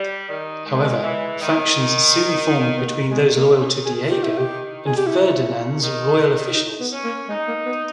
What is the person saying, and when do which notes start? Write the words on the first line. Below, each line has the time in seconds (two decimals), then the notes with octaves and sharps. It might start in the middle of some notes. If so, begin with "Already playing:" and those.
However, factions soon formed between those loyal to Diego and Ferdinand's royal officials.
Already playing: G3
0.28 D#3
0.65 D#3 G#3
1.02 E3
1.40 D#3
2.77 B3
2.86 D#3 A#3
3.11 G#3
3.36 A#3
3.60 C#4
3.85 G#4
4.10 G4
4.23 E4
4.38 G4
4.86 G#4
4.97 G4
5.07 C#3 E4
5.81 D#3
6.54 D#4
6.80 B3
6.92 C#4
7.04 A#3
7.28 G#3 D#4
7.47 A#3
7.66 B3